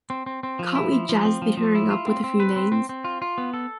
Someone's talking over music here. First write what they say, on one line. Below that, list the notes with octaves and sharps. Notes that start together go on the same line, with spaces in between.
Can't we jazz the hearing up with a few names?
C4
C4
C4
F3
E4
F3
F3
C4
F3
F3
E4
F4
C4
C4
B4
C4
C4
C4
F4
F4
B3
A4